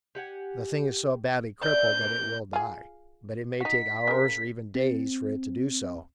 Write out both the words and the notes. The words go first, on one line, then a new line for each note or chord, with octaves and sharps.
The thing is so badly crippled that it will die, but it may take hours, or even days, for it to do so.
G4 F#5 G#5
D5 E5 G6
A#3 A#4
F4 G#4
D#4 F#4 B6
C#3 A#4
C4